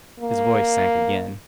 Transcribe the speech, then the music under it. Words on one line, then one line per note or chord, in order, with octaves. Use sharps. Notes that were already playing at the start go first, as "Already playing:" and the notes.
His voice sank again.
A#3